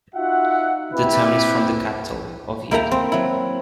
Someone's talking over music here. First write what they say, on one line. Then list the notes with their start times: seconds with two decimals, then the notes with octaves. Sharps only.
The town is from the capital, Oviedo.
0.15 D#4 F4 F#4 E5 F#5
0.94 C4 E4 G4 B4
2.71 A#3 E4 E5 G5 A#5
2.91 C4
3.12 F#3 E4